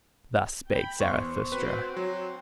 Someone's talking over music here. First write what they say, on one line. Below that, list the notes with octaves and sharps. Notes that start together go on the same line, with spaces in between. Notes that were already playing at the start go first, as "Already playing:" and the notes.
Thus spake Zarathustra.
G5 B5
E2 B3 C5 C#6
C4 F#4 B4
F#3